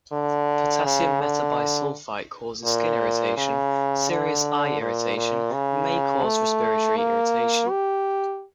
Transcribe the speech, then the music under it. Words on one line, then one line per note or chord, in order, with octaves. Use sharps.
Potassium metabisulfite causes skin irritation, serious eye irritation, and may cause respiratory irritation.
D3
C#3
D3
A#2
C#3
D3
A#2
A#2
C#3
A3
A#3
G4